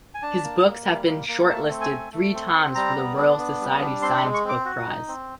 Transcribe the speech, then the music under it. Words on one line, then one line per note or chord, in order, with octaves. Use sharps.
His books have been short-listed three times for the Royal Society science book prize.
G#5
D4 A5
A#3
A#3
G3
A#3
A#3
A3 A5
C4
G#5
A3
A3
C4
C4
G3 A#5
B3
D4
B3
G3
D4
C4 C6
B5
G#3
C#6
C4 D6
F#4
D#4
C4